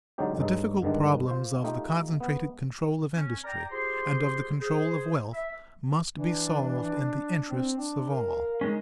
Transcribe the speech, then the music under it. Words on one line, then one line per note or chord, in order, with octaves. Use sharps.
The difficult problems of the concentrated control of industry and of the control of wealth must be solved in the interests of all.
D3 F#3 G#3 C#4 D#4 G4
G2 G#3 C#4 D#4 A4
G2 D3 D#3 G#3 D4
F4 C5
A3 D#4 F4 G4
B3
C#4
D5 G5 A#5
F4 G4 G#4 C5 C6
G#4 C5
E5
E3 D4
C4
D4
A#4 F5
G#3 C#4 D#4